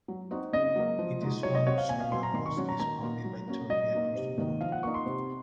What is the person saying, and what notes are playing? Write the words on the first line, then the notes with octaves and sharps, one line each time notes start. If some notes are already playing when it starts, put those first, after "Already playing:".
It is one of several mosques funded by Turkey across the world.
F#3
C4 D#4 F#4
C#3 D#5
F#3 A#3
F3
G#3 D#4 F#4
F#3 C#5
D#5
C4 F#4 C#5
F5
A#2 G#5
F5
F#3 C4 F#4 C6
A#5
D#3 C6
C#6
F#3 C#4 F#4
A#5
D#3 A#5
A#3 D#4 F#4
F#3
A#3 C#4 F#4
F#3 D#5
A#3 D#4 F#4
C3
D#3 A#3 D#4 F#4
F3 F5
F#5
A#3 D#4 C#6
C6
C3